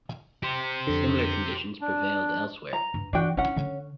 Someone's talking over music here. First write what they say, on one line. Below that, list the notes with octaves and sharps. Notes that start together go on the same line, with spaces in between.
Similar conditions prevailed elsewhere.
G4 C5
F2 D3
D4
A#5
G2
E3 D4 F#4 G5
C#4 D4 E4 F#5
D3